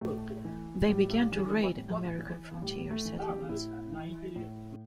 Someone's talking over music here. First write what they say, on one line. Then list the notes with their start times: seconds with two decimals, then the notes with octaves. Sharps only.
They began to raid American frontier settlements.
0.01 A2 A3
0.45 E3
0.88 A2 G3
1.32 E3
1.76 A2
2.18 E3
2.62 A2 G3
2.91 A3
3.05 E3
3.20 G4
3.49 A2 E4
3.92 E3
4.36 A2